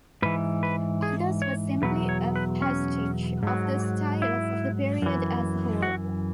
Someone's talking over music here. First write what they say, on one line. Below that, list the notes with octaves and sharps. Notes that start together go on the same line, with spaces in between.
Others were simply a pastiche of the styles of the period as a whole.
G#2 E3 B4
B4
G#4
C#5
E2 B2 F#3 B4
C#5
B4
C#4
G#2 F#3
E4
F#2 E3
F#4